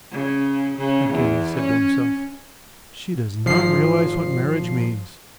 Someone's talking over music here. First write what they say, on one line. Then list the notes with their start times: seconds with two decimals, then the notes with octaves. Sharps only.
Again he said to himself, "She does not realize what marriage means!"
0.12 C#3
0.78 C#3
1.10 E2
1.56 C#4
3.45 G#1 F3 C7